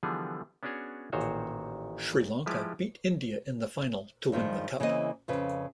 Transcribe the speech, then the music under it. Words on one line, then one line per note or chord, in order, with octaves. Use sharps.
Sri Lanka beat India in the final to win the cup.
D3 E3 F3 G3 B3 G#4
B3 C#4 D4 F#4 G#4 C#5
A1 A#2 D#3 F#4 C5 C#5
F3 G3 G#3 E4 G4 B4
G2 D#3 F3 G#3
C#3 E3 A#3 C4 A#4 D#5
F2 C#3 B4